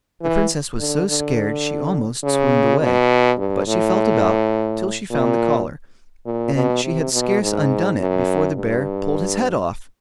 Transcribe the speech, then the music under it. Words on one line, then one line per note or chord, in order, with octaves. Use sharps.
The Princess was so scared she almost swooned away; but she felt about till she found the collar, and she had scarce undone it before the bear pulled his head off.
E3
D3
D3
C#3
B2
G2
A2
A#2
A#2
B2
C3
B2
G#2
F#2
G2